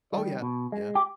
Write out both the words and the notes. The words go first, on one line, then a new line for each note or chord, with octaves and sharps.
Oh, yeah, yeah.
D#3 G3
B2
G#3
G4